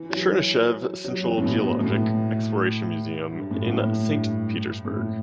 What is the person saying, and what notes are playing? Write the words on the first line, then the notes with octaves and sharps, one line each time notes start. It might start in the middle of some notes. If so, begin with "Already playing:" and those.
Chernyshev Central Geologic Exploration Museum in Saint Petersberg.
Already playing: E3
F#3
F#3
E3
A2
B2
B2
A2
G2
A2
A2
G2
A2